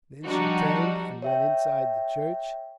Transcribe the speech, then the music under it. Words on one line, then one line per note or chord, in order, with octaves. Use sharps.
Then she turned and went inside the church.
F3 G3 D4 D#4 F#4
C#5 E5 G5